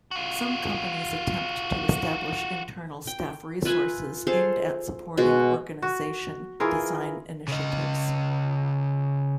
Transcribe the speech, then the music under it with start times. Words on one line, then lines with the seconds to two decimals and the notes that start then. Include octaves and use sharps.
Some companies attempt to establish internal staff resources aimed at supporting organization design initiatives.
0.11 F4 F#4
3.07 G5
3.65 F4 B4 E5 G#5
4.27 G#4 A4 C5 F5
5.17 B2 G#3 F#4
5.82 F#4
6.60 E3 F4 G#4 A#4
7.48 C#3 D#5